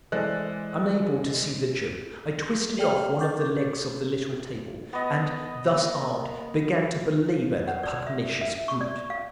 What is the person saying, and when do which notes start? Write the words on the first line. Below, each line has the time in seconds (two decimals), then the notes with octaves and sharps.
Unable to see the joke, I twisted off one of the legs of the little table and, thus armed, began to belabor the pugnacious brute.
0.12 E3 G#3 A4 C5 D5 F#6
2.77 G4 G#4 D5 G5 F6
3.19 C#6 D6 G6 A6
4.93 B3 D#5
5.71 A#3
7.68 F#5
7.83 D5
8.07 E5
8.41 E5
8.68 C#6
8.81 D5
9.10 F5